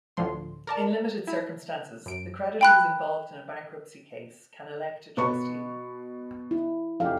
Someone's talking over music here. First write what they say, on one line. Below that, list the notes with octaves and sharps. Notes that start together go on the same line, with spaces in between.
In limited circumstances, the creditors involved in a bankruptcy case can elect a trustee.
D2 A2 D3 F3 C6
A#4 D5 A5
E4
F#2 D7
G5 B5 F#6
B2 B4 C#6
E4
F1 G4 F5